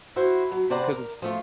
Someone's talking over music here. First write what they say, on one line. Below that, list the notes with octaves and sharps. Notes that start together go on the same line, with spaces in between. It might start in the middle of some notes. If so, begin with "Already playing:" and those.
'cause it's
E4 F#4 C5
F#3
C3 B4 C5 D5 F#5 A#5
A#4
F3 A3 F4